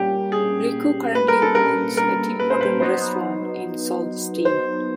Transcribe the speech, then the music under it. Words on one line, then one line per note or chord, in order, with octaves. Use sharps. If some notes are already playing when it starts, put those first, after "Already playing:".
Rico currently owns a Tim Hortons restaurant in Sault Ste.
Already playing: A#2 G3 A#3 C#4 G4
G#4
B4
A#4
A4
A#4
A#4
B4
C5
B4
F#3 B3 D#4 C5
C5